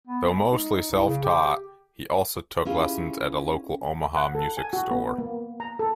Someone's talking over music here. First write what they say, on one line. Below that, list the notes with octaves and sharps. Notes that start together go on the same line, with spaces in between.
Though mostly self-taught, he also took lessons at a local Omaha music store.
B3
G#3
D#4
C2
C#3
G4
C#4 E4 F4 G4 G#4
F#5
A4
G#5
F#4
B3
A#3
A#5
A4